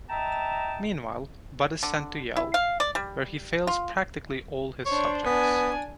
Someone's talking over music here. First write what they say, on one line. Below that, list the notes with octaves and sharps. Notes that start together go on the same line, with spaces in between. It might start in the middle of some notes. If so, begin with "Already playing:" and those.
Meanwhile, Bud is sent to Yale, where he fails practically all his subjects.
D#5 E5 G5 A5 A#5
D3
E4
F5
D5
G3
F4
D4 C5 C#5
B3 D4 G#5